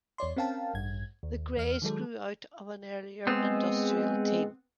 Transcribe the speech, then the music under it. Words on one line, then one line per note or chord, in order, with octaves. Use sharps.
The Grays grew out of an earlier industrial team.
E2 C#5 D5 C6
C4 C#4 A#4 F5 G5 A5
A1 G2 G#6
D#2
E2 F6
D#3 F#3 G#3 A4
G#3 B3 C4